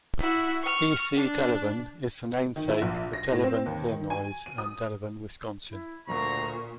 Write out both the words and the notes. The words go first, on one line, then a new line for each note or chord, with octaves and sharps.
E. C. Delavan is the namesake of Delavan, Illinois and Delavan, Wisconsin.
E4 F#4
C#6 F6
D4
D#3
E4
A#1
A#6
A2
C4
D#2
D#3
G#5
D#7
D#6
E4
D2 A#2 A#5 C#6